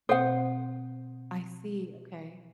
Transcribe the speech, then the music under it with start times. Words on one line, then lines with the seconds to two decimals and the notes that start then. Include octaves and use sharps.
I see, okay.
0.09 B2 C4 C5 F#5